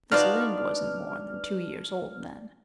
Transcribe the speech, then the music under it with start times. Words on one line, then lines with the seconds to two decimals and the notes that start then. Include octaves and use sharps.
This Lynde wasn't more than two years old then.
0.12 D4 D#4 F4 F#4 B4 D5 F6